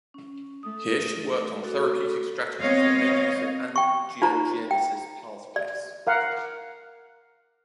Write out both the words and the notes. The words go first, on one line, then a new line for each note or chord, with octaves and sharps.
Here she worked on therapeutic strategies that made use of angiogenesis pathways.
C#4
A3 D#6
F#4 A4
B3 C4 C#5 D#5 F5
G5 C#6
D#4 F4 C5 A#5
G5
D5
A#4 F5 F#5